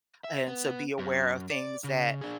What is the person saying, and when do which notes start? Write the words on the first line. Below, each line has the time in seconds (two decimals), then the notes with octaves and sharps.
and to be aware of things that
0.24 E5
0.48 B3
0.99 F#2
1.50 D5
1.84 C#3
2.21 D4 G#4